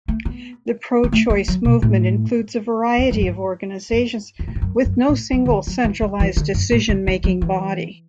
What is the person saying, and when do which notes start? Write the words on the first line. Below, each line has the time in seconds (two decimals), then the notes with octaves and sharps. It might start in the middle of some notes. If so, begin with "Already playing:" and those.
The pro-choice movement includes a variety of organizations, with no single centralized decision-making body.
0.08 A3
0.25 B3
1.04 B3
1.12 A3
1.30 G#3
1.48 F#3
1.65 B2
1.82 A2
2.98 E2
3.11 F#2
3.22 G#2
3.92 F#2
4.39 E2
4.48 A2
4.55 G#2
4.62 F#2
4.85 F#2
5.09 A2
5.33 F#3
5.46 D3
5.50 E3
5.67 F#3
5.84 E3
6.02 D3
6.20 E3
6.37 D3
6.54 F#2
6.72 A2
6.89 C#3
7.07 D3
7.24 F#3
7.42 E3